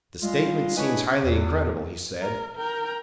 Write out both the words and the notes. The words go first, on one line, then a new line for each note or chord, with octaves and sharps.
"The statement seems highly incredible," he said.
G3 G#3 F4
D4 E4 B4 C#5 D#5 G#5
C#4 F#5
E2
A#4
A#4 G5